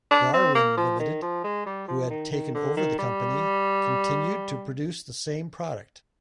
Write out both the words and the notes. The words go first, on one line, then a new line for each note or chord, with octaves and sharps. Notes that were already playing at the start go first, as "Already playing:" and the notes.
Darwin Limited, who had taken over the company, continued to produce the same product.
D4
C4
A#3
F3
D#3
F3
G#3
G3
F3
D#3
D#3
D3
D#3
G3